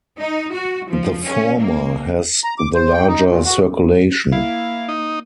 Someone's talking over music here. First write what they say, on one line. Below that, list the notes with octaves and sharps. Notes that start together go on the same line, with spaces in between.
The former has the larger circulation.
D#4
F#4
F3
C#4
A#3
A#5
D6
C5
G5
D#4
A#2
F#4
A#3 E4 F5
D#4